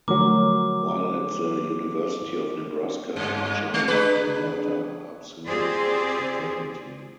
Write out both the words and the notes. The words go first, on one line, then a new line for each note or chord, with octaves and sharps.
While at the University of Nebraska he joined The Delta Upsilon Fraternity.
D3 F3 F#3 A3 A#4 D6
G2
G#3
D4 G#4 B4
C4 F4 G4 G#4 C5 D5